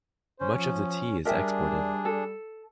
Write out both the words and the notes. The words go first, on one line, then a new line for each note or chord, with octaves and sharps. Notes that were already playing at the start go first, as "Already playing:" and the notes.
Much of the tea is exported.
C#4 C5
F3
G3 D4 G#4 A#4 E5 G5
A4